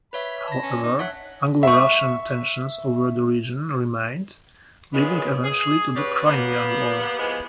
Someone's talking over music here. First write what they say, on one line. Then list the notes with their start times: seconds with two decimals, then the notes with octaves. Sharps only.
However, Anglo-Russian tensions over the region remained, leading eventually to the Crimean War.
0.13 B4 C#5 E5 B5
0.48 A5 A#6
0.63 C#4
0.83 D#4
0.99 C#5 E5 F#5 F#6
1.63 E5 C#6
4.94 A#2 C#3 G#3 B3
5.44 G#4
5.95 G3 C#4 F#4 B4 D5
6.25 G3 A#3 B3
7.18 E3 F3 G#3 B3